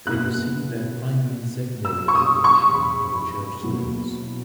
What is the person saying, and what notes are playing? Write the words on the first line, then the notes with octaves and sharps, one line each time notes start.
They received their primary and secondary education at the church schools.
B2 A#3 E4 F#6
E6
C#6
D#6
C#6
B5
B2 F#3 A#3 E4